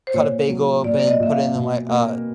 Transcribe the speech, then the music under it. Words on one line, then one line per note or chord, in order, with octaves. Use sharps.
cut a bagel open, put it in my, uh,
C5
A#2 C#5
F#3
A#2 D5
D5
D#5
A#2 E5
F5
B2
A#3